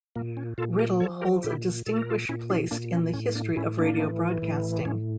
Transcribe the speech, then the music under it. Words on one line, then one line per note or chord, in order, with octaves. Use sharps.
Writtle holds a distinguished place in the history of radio broadcasting.
A#2 A#3
C#4
A#2 F4 A4
G4 A#4
F3 A4 C#5
G4 A#4
A#2 E4 G4
A#2 A4
A#4
F4 A4
A#2 C#4 E4
D4 F4
A#2 A#3 D4
C#4
A2 C#4
A#3 D4
A2 C#4 E4
A#3 D4
E3
A2
A2 C#4